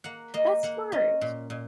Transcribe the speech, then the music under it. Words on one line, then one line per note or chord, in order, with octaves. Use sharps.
That's smart.
A#3 F#5
A#3 D#5
A#3 F#5
C#4 D#5
A#2
A#2